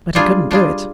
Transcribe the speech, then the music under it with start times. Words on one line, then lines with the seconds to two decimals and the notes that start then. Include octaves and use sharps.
But he couldn't do it.
0.15 G3 D4 F4 G#4
0.51 G3 D4 F4 G#4